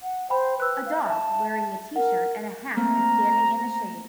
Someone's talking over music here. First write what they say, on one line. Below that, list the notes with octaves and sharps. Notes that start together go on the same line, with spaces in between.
A dog wearing a tshirt and a hat is standing in the shade.
F#5
C5 G5 B5
B4 E6 F#6
F5
E5 A5
A#4 F#5
A3 A#3 C4 A#5